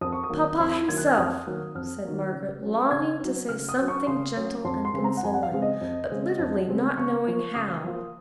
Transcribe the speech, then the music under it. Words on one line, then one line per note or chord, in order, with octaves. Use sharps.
'Papa himself,' said Margaret, longing to say something gentle and consoling, but literally not knowing how.
F2 D#6
C#6
D#6
D#3 F#3 A#3
F2 C6
D#3 F#3 A#3 G#6
F#6
F6
F2 D#6
D#3 F#3 A#3
F2 F6
D#3 F#3 A#3
C#3
F#3 C#4
C#3 G#6
F#3 C#4
C#3 F6
D#6
F#3 C#4
C#6
C#3 C6
F#3 C#4
F2 C6
C6
C#3 G#3 C4
A#5
F#5
F2 G#5
F#5
F5
C#3 G#3 C4
D#5
F2
C#3 G#3 C4
F2
C#3 G#3 C4
C#3 C#6
F3 A#3 F4
C#3 D#6
F3 A#3 F4